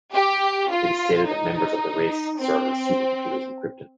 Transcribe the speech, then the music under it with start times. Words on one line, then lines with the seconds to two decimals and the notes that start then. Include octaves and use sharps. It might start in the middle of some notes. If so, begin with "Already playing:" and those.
It is stated that members of the race served as supercomputers on Krypton.
0.13 G4
0.70 F4
1.27 D#4
2.38 C4